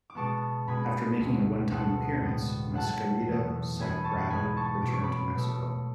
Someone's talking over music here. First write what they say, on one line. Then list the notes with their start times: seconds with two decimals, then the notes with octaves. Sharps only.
After making a onetime appearance Mascarita Sagrada returned to Mexico.
0.10 D6
0.15 B2 G#3 B3 A5 C#6
0.68 B2 G#3 B3 G#5 B5
1.19 D2 D3 G#3
1.71 D2 D3 G#3 B3 F#5 A5
2.22 A2 G#3 B3
2.74 G#2 F#3 A3 F#5 A5
3.27 E2 B2 F#3 A3
3.77 B2 A3 G#5 B5
4.04 A5 C#6
4.30 G#2 G#3 B3 G#5 B5
4.56 A5 C#6
4.82 B2 F#3 A3 D6
4.93 C#6
5.03 B5 D6
5.35 B2 A3